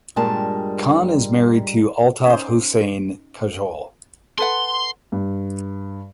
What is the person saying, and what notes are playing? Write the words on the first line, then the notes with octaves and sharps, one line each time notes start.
Khan is married to Altaf Hossain Kajol.
G2 A#2 G3 G#3 A#4 A5
C#4 D#4 C5
A4 B4 F#5 C6
G2